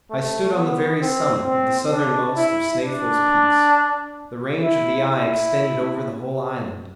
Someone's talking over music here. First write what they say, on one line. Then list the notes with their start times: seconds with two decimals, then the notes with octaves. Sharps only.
I stood on the very summit of the southernmost of Snaefell's peaks. The range of the eye extended over the whole island.
0.11 A3
0.56 B3
1.01 C4
1.46 C4
1.92 D4
2.37 E4
2.82 D4
4.63 E4
5.08 E4